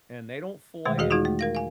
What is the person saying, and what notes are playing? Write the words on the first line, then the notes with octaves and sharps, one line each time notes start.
and they don't fillet it.
B2 D#3 G#3 A3
E2 E3 F#4 G#4 D#5
G#3 D#4 F4 F#4 G#4
A3
A#4 F5 A#6
F5 G#5